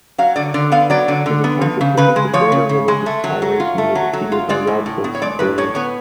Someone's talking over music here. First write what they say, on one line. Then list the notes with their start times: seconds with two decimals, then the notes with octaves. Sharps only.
His attempts at pushing for greater religious toleration were defeated by Walpole's supporters.
0.18 F#3 F5
0.36 D3 D5
0.54 D3 D5
0.72 B3 F5
0.90 F#3 D5
1.08 D3
1.26 D3
1.44 B3
1.61 F3
1.81 C#3
1.97 C#3 B4
2.16 G#3
2.34 F3 C#5
2.52 C#3
2.69 C#3
2.88 G#3
3.06 A3
3.24 F#3
3.42 F#3
3.60 F4
3.78 A3
3.95 F#3
4.13 F#3
4.32 F4
4.49 G#3 D5
4.67 A2
4.86 A2
5.04 B3
5.15 C#5
5.22 G#3 D5
5.39 A2 B4
5.58 A2 C#5
5.75 B3 C#5